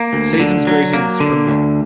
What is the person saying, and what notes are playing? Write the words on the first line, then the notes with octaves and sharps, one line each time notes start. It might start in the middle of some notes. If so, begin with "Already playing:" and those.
Season's Greetings from moe.
Already playing: A#3
D2
D3
F#3
A#3
D3
D2